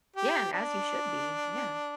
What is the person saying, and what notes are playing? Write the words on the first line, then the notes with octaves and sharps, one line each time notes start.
Yeah, and as you should be, yeah.
G4
D4